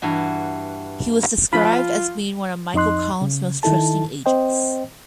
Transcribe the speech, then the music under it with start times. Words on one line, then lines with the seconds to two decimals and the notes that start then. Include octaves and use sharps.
He was described as being one of Michael Collins’ most trusted agents.
0.02 G2 E3 F#4
1.53 F3 F4 B5
2.74 F2 D#4 D#5 C6 F#6
3.21 C#3
3.63 D#3 D#4 E4 A4 A5
4.26 C4 C5 D#5 G5